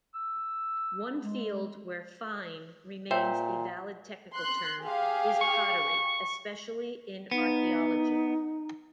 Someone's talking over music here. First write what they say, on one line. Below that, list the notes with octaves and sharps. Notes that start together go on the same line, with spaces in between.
One field where "fine" remains a valid technical term is pottery, especially in archaeology.
E6
G#3
A#2 C5 C#5 E5 G5
C6 F#6
G4 G#4 F5
C#6
B3 D#4